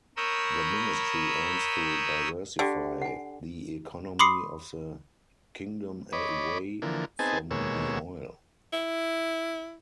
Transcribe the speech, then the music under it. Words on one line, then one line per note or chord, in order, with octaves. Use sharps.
The Ministry aims to diversify the economy of the Kingdom away from the oil.
A#4 C#5 B5 D#6 E6 G6
D3 G4 D5 G5
F#5 G#5
B5 C6 D6 D#6 C7 C#7
C#5 D#5 B5 D6
D3 E3 F3 A#3
B3 C4 D#4 G#4 G#5 A5
D#2 B2 G#3 A#3 C#5 E6
E4